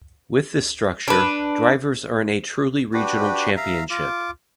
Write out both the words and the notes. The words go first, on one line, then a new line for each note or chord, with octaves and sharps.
With this structure, drivers earn a truly regional championship.
D4 B4
D4 F#4 G4 B4
E5 F5 A#5
F4 D6